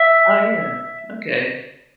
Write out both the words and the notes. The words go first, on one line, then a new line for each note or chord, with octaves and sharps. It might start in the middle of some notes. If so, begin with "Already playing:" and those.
Uh, yeah, okay.
Already playing: E5